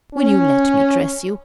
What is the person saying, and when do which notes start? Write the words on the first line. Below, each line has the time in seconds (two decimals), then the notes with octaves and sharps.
Will you let me dress you?
0.15 C#4